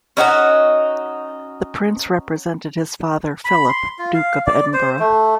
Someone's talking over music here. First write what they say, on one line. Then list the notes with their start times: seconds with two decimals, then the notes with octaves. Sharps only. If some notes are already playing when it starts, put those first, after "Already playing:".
The Prince represented his father Philip, Duke of Edinburgh.
0.17 C#4 D#4 F#4 F#5
3.45 B5
3.69 C6
3.99 F4
4.14 F5
4.46 D5
4.74 C5
4.99 A3